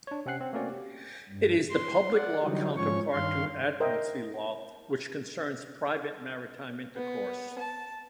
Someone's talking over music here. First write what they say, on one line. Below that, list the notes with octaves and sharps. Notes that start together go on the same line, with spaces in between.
It is the public law counterpart to admiralty law, which concerns private maritime intercourse.
D4 C#5
C3 C4 C#4 F#5 F#6 C7
C4
A3 A#3 C4 C#4 F#4 D5
G4
G2
C6
D5 F#5
D3 E3 F#3 G3 D#4
G#2 F3 C#4 C#5 C#6
G2 D#3 F5 C6
A#4 C5 D#5 E5 G5
B3
A5